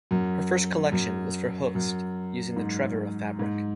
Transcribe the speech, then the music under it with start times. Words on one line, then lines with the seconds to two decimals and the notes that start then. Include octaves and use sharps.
Her first collection was for Hoechst using the trevira fabric.
0.11 F#2
0.92 F#2
1.75 F#2
2.56 G#2
3.39 G#2